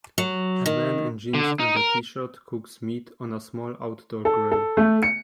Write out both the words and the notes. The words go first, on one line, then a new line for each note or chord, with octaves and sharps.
A man in jeans and a tshirt cooks meat on a small outdoor grill.
F#3
D#3
D3
D#4
A#4
A4
A4
A3
C#7